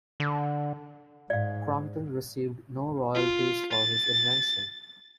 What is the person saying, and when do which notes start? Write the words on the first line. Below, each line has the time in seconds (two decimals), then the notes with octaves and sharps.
Crompton received no royalties for his invention.
0.20 D3
1.30 G#2 D5 F5
3.15 F4
3.72 A6